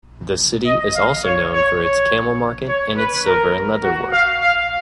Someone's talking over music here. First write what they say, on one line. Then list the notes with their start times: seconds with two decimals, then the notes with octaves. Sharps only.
The city is also known for its camel market and its silver and leatherwork.
0.66 D#5
0.96 F5
1.25 C#5
1.53 C#5
1.82 C#5
2.68 C#5
2.97 B4
3.26 A#4
3.83 F#4
4.12 F5
4.41 F5